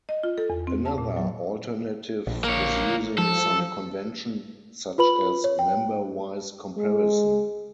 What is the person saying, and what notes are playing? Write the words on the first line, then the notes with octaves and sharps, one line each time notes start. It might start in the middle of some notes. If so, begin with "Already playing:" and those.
Another alternative is using some convention such as memberwise comparison.
D#5
F4
A4
E2
C4
A5
A#2
F#3
A#1
A#3 C#5
F3 A4
F4 B4 B5 F#7
C#5
G5
G#3